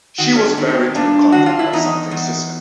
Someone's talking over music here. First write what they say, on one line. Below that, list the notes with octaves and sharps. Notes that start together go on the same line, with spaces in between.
She was buried in the Convent of San Francisco.
D#3 F#4
C#4
D4
D#3
C4
G2 D4
D#3 F#4
F4
E4
E2 D#4
E2